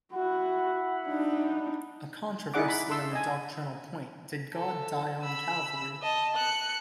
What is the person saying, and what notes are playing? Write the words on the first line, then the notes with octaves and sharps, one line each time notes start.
A controversy on a doctrinal point Did God die on Calvary?
E4 F#4 F#5 B5
D4 D#4
D#4 E4 G#4 D5 F#5 D6
B5
A4 C6 E6
D#5 G#5
A4
B5 E6
D#5 A5
F#6 C#7